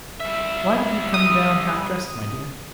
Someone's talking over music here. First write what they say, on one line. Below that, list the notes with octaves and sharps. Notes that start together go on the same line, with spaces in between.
"Why did you come down half-dressed, my dear?"
G3 E5
D#6